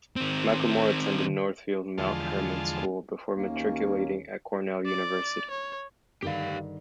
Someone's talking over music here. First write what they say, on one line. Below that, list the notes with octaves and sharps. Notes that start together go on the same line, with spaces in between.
McLamore attended Northfield Mount Hermon School before matriculating at Cornell University.
D#3 C4
E2 D3 F3 G#3 F4 A5
D#2 A#3 C#4
D5
C#5
G2 D3 D#3 G4 F5